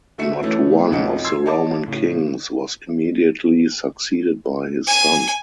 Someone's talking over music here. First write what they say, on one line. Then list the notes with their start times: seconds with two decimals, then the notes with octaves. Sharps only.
Not one of the Roman kings was immediately succeeded by his son.
0.18 D3 A3 F#4 E5 C#7
0.42 E3 A3 B3 C#4 E4 A4
0.91 B1 F2 F3 D#4 F#5 C#7
1.24 C6 E6 G#6 C7
1.46 C#5 D#5 A5 D6
1.86 A2 C#3
4.87 G#5